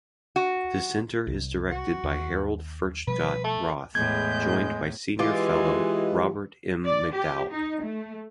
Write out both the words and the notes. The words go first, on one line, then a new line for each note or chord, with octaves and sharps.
The center is directed by Harold Furchtgott-Roth, joined by senior fellow Robert M. McDowell.
F#4
C2
F#4
D#2
B2 F3 G3 B4
A3
E2 A2 G#3 G6 G#6
E3 G#3 F4 G4
D5
G4
D#4
A3